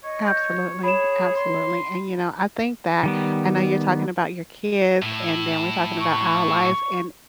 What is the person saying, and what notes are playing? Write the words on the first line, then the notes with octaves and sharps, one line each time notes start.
Absolutely, absolutely. And, you know, I think that I know you're talking about your kids, and then we're talking about our lives and
C#5 D#5
G6
G#4 C#5 B5 E7
C6
D#3 G3 B3
A2 E4
C#6